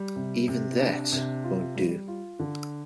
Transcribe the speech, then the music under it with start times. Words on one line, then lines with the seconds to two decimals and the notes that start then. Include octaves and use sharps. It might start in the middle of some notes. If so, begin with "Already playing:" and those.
Even that won't do.
Already playing: G3
0.16 C3
0.48 C3
0.80 D4
1.12 C3
1.44 F4
1.76 G3
2.08 F4
2.39 D3